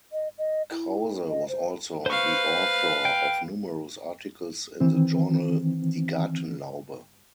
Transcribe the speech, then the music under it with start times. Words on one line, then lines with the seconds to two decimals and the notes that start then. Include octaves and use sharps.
Krause was also the author of numerous articles in the journal "Die Gartenlaube".
0.12 D#5
0.38 D#5
0.71 E4
1.30 D#5
1.49 C5
2.06 B4 C5 F5 C#6
3.05 G5
4.80 D#3 E3 C4